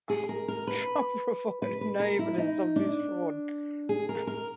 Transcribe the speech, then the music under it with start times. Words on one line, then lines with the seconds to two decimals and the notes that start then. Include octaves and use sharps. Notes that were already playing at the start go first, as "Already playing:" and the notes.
Trump provided no evidence of this fraud.
0.10 G#4
0.29 A#4
0.48 A#4
0.67 B4
1.62 B4
1.81 B4
2.00 A#4
2.19 E4
2.38 D#4
2.76 D4
3.89 G#4
4.09 A#4
4.27 A#4